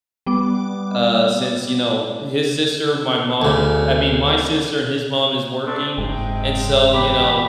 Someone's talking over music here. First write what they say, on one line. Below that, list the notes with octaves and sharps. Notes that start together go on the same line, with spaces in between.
uh, since, you know, his sister, my mom, I mean, my sister and his mom is working. And so, you know,
G3 B3 D6
D2 C#3
A3 C4 D4
F#1 G#2 C3 G#3 G5
E3 G4 B5